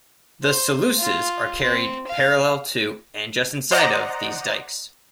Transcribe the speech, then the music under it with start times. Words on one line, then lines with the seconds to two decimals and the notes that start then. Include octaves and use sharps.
The sluices are carried parallel to, and just inside of, these dykes.
0.43 C5
0.99 F4
1.60 C4
2.07 F5
3.71 C5 D5 D#5 F#5 A#5